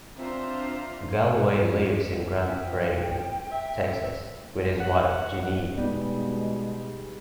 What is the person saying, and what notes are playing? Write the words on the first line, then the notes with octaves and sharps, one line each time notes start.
Galloway lives in Grand Prairie, Texas, with his wife Janeen.
C4 D4 F4 C5 E5 A#5
F5
E5 G5
F3
E5
F#5
B2 G3 G#3 B3 D#4